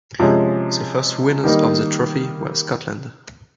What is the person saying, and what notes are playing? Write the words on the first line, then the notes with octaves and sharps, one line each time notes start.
The first winners of the trophy were Scotland.
C3 F3 G#3 C#4
D#3 G3 A#3 D#4